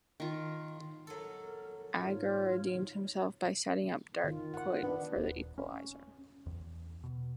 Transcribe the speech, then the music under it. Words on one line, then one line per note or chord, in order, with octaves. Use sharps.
Agger redeemed himself by setting up Dirk Kuyt for the equaliser.
D#3 F4
F#3 A4 A#4
G#2 F4 C#5
D#3 F4
F#5
B3 D4
D#1
C#4
E2
B2